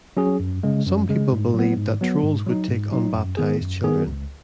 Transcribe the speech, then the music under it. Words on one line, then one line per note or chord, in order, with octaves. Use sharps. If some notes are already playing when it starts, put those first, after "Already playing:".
Some people believed that trolls would take unbaptized children.
F#3 C#4 G#4
F#2
C#3 G#3
F#2
C#3 G#3
G#2
F#3 B3
G#2
F#3 B3
G#2
F#3 D#4
G#2
F#3 D#4
F#2
D#3 B3 G#4
F#2
D#3 B3 G#4
C#2